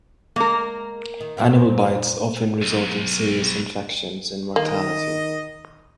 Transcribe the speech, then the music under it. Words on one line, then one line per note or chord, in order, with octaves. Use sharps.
Animal bites often result in serious infections and mortality.
G#3 A#3 A#4
D#3
F2 A#2 C4
B1
D#3 A#3 D#5